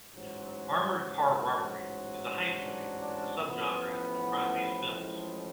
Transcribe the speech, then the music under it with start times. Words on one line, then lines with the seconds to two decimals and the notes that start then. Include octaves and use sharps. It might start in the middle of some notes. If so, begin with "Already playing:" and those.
"Armored Car Robbery" is a heist movie, a subgenre of crime-based films.
0.14 A1 G#2 F#3
2.57 D4
2.98 D4
3.38 A1 A2 F3 B3
5.00 G#3